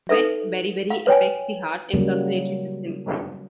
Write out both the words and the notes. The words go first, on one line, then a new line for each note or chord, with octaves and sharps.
Wet beriberi affects the heart and circulatory system.
D#4 A4 B4 E5
F5
B4 C#5 G5 G#5
C#3 F#3 G3 A#3